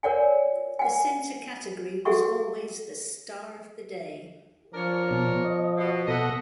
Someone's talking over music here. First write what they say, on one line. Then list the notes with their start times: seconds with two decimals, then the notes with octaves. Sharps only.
The center category was always the "Star of the Day".
0.03 A#4 C#5 D5 F#5 G#5
0.79 F#5 G#5
2.05 F#4 G#4 A4 E5 F#5 C#6
4.74 F3 D4 A#4 C#5
5.11 B2
5.44 D#5
5.78 B2
6.08 B2 A4 D#5 E5 F#5